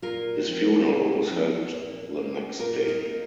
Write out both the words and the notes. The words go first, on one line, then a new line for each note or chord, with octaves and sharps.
His funeral was held the next day.
A#2 F4 A#4
F3 C4
A#2
F3 C4
A#2
A#3 D#4
A#2 F4 A#4
A#4 D#5
A#3 D#4